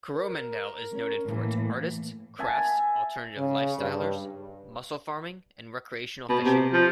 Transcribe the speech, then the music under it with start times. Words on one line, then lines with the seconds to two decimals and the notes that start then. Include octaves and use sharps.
Coromandel is noted for its artists, crafts, alternative lifestylers, mussel farming, and recreational fishing.
0.15 A#4
0.91 C#4
1.25 A2 E3 A#3
2.39 E5 G#5 A5
3.37 C#3
3.78 G2
6.29 B2
6.45 C3
6.72 F3